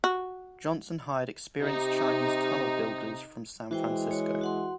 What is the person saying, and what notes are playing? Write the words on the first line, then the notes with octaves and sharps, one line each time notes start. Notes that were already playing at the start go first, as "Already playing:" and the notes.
Johnson hired experienced Chinese tunnel builders from San Francisco.
F#4
C3 D#4 G4
E3 G#3 F#4 C5 G5
F#4 C#5
F#4 F#5 C6